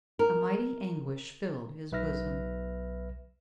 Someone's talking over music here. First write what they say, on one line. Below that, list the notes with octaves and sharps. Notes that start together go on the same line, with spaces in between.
A mighty anguish filled his bosom.
A#4
B1 B4 E5 F6 A#6